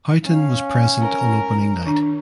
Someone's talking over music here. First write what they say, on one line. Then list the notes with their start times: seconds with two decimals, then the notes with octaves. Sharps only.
Houghton was present on opening night.
0.24 C#4 F5
1.01 A#4
1.85 D#3 D4 A#5